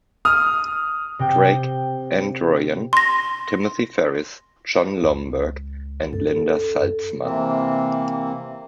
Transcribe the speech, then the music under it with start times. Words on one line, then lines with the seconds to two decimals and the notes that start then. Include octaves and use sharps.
Drake, Ann Druyan, Timothy Ferris, Jon Lomberg, and Linda Salzman.
0.25 D#6 F6
1.19 C3 G5
2.93 C6 A#6
5.04 C#2
6.13 F#2 A4
7.20 C3 E3 A#3 C4